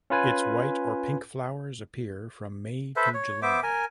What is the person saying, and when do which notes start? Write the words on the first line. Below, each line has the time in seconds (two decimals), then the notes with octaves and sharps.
Its white or pink flowers appear from May to July.
0.10 C#4 F4 B4 G#5
2.96 A4 B4 C5 E5
3.14 C#5
3.42 B3 C5 E5 D6
3.63 A#4 G#5